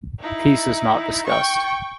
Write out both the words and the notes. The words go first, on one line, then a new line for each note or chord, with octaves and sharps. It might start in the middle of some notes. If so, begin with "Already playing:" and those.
Peace is not discussed.
D#4 E4
G5 C#6